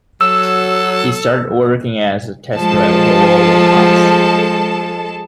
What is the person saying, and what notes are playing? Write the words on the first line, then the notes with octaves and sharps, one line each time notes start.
He started working as a test driver for Volvo Cars.
F#3 A4 E6
F3 G#3 A4 A5